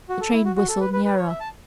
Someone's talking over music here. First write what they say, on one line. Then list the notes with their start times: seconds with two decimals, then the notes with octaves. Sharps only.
The train whistled nearer.
0.09 F#4
0.21 A4
0.32 E4
0.45 F#4
0.56 F#4
0.68 A4
0.80 B4
0.93 B4
1.05 B4
1.17 C#5
1.28 E5
1.40 A5